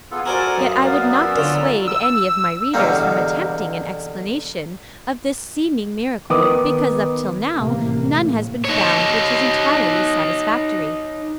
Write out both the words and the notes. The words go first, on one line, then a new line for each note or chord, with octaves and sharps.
Yet I would not dissuade any of my readers from attempting an explanation of this seeming miracle because up till now none has been found which is entirely satisfactory.
B3 F4 G#4 A4 F5
F#4 A4 A#4 C5 D5 G#5 A#5 F6
F#2 F5 D#6
B3 A#4 D5
C#4 E6
D3 F4
E6
E2 B2 D3 G3 A#3
D#3 B3 D6 D#6
A1 C3 A#3
A2
D#4 C#5